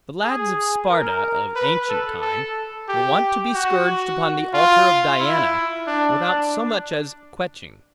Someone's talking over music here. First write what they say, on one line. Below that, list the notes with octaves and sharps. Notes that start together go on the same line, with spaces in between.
The lads of Sparta, of ancient time, were wont to be scourged upon the altar of Diana, without so much as queching.
G#4
A#4
B4
A4
A4
G4
F#4
F4
E4
D4
D4